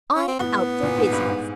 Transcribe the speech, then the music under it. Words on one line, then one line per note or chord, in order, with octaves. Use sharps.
I am out for business.
C#4
C4
A2 B3
A#2
G#2
G2
G#2